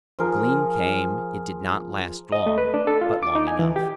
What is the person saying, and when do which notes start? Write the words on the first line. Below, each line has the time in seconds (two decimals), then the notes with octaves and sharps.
The gleam came; it did not last long, but long enough.
0.19 F3 G#4 A#4
2.32 D#5
2.46 A3
2.58 B4
2.74 D4
2.87 A4
3.01 F4
3.23 D6
3.35 D#4
3.47 G#5
3.59 E3
3.76 G4